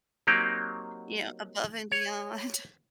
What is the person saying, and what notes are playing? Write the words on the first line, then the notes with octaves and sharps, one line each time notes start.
you know, above and beyond,
F#3 A#3 C4 D#4 G4
C#5